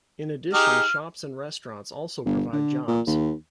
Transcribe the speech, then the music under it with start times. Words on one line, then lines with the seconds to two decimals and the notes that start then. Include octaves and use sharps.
In addition shops and restaurants also provide jobs.
0.53 D#4 G4 G#4 F6
2.25 G1
2.53 D3
2.88 A#2
3.07 D#2